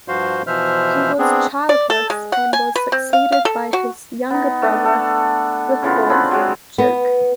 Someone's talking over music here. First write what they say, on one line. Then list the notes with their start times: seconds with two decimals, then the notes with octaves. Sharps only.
He was childless and was succeeded by his younger brother, the fourth Duke.
0.08 G2 F3 F#4 C5 F5 C6
0.47 B2 E3 F3 C5 E5 F6
1.19 B3 C4 D4 G#4
1.69 D5
1.90 A4
2.10 G#3
2.32 F#5
2.53 G#5
2.76 B4
2.92 C4
3.13 F5
3.32 F5
3.45 A4
3.73 F#4
4.30 B3 D#4
4.62 A3 B3 D4
4.85 A4
5.83 C#3 E3 B3 F4
6.10 C4 D4 G#4 B4
6.31 F#3 G#3
6.78 B3